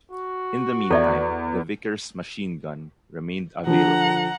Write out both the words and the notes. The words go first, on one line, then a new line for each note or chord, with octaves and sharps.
In the meantime, the Vickers machine gun remained available.
F#4
E2 A4 D5 E5
D3 F3 F#5 A#5